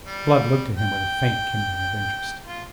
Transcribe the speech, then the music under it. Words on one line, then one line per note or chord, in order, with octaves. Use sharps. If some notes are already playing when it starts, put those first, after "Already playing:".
Blood looked at him with a faint kindling of interest.
G3
G5
F4